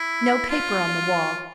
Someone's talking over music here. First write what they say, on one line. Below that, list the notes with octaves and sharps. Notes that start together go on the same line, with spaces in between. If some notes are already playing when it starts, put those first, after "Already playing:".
No paper on the wall!
Already playing: E4
F4